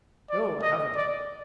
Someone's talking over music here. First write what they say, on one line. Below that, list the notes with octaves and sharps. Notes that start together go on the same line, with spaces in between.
'No, I haven't.
D5
D#5
D5